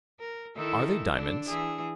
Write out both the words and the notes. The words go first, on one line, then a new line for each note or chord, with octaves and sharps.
"Are they diamonds?"
A#4
D#3 E4 A4
D3 D4
E3 G#4